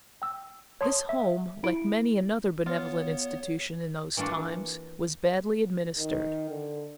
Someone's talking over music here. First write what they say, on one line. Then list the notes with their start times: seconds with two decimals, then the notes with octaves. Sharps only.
This home, like many another benevolent institution in those times, was badly administered.
0.22 G5 E6
0.81 C#5 A5 C6 D#6
1.09 E5
1.64 E4 D7
2.66 B3 F4 C#5
4.17 E3 A#3 D4 F4 F#4
5.99 D#3
6.50 D3